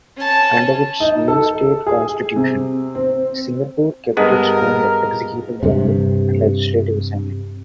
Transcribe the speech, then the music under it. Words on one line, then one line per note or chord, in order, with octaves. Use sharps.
Under its new State Constitution, Singapore kept its own executive government and legislative assembly.
C#4 A5
D#4
A4
G#4
C3
C4
G2 G#3 B3 A#4
G2 C3